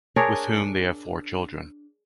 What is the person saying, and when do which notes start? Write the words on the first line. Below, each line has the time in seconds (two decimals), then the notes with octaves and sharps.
With whom they have four children.
0.16 D4 G#4 A#4 C#5